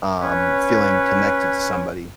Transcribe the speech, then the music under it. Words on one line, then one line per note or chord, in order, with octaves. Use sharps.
um, feeling connected to somebody.
C#4 B4 C#5